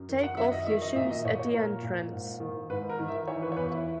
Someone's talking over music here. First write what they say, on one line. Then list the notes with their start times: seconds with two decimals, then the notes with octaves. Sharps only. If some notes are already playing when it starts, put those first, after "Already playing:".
Take off your shoes at the entrance.
Already playing: F#2
0.09 D#3
0.23 F#5
0.37 F#2 E5
0.52 D#5
0.67 D#3 E5
0.82 D#5
0.95 A#2 E5
1.11 D#5
1.25 A#2 C#5
1.39 C#5
1.53 A#2 A#4
1.83 A#2
2.12 G#2
2.40 D#3
2.69 G#2 B4
2.89 A#4
2.99 D#3
3.08 E5
3.28 E3 C#5
3.43 B4
3.52 C#5
3.57 E2 B4
3.71 E4